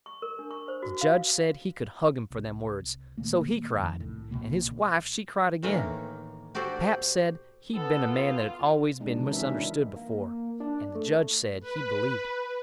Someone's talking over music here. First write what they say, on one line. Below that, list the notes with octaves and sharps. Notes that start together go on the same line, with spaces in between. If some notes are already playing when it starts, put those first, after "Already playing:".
The judge said he could hug him for them words; so he cried, and his wife she cried again; pap said he'd been a man that had always been misunderstood before, and the judge said he believed it.
C#6
A#4
D4
C#6
C5
F#4
F5
C2
A#2 D#3 A3 A#3
F2 D#3
C2 A2
C2 G2 B2 A#3
A2 D#3 E3 A#3
F#4 G4 A4 C5 D5
B3 A4
F4
G#3 D4 D#4
C3 E3
F#3 C#4 D#4 A#4 E5
E3 D4 E4 A#4
A#3
D4
A3
B4